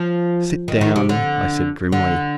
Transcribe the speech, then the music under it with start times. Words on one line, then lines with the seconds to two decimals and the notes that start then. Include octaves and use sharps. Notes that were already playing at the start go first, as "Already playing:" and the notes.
"Sit down," I said grimly.
Already playing: F3
0.68 D#3
0.81 D#3
0.96 C3
1.09 D3
1.92 D3